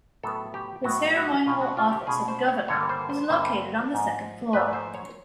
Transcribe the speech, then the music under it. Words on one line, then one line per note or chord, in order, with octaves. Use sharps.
The ceremonial office of the governor is located on the second floor.
A2 F#3 B3 A4
G4
A2 F#3 B3 F#4
F#4
B2 G#3 C#4 F4
F#4
F4
G4
B2 G#3 C#4 F4 G#4
C5
C#5
G2 D3 G3 A#3 C#5
C5
C5
G2 D3 G3 A#3 C5
G#2 F3 A3
G#2 F3 A3 B4
C5
C#5